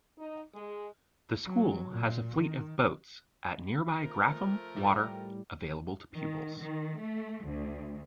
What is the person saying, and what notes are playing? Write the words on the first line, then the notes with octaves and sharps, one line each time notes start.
The School has a fleet of boats at nearby Grafham Water available to pupils.
D#4
G#3
F#3
A#2
D#3
F3 A3 A#4
A2 G3
D#3
D#3
A3
D2